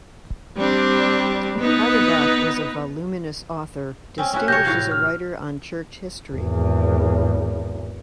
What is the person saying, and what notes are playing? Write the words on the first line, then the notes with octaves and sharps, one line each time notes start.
Hagenbach was a voluminous author, distinguished as a writer on church history.
G3 C4 D4
B3 D#4 B4
C4 C#4
C#4 E4 F#4
C3 F#4 C#5 G6 A#6
A2 F#4 F5
F6
G#1 E2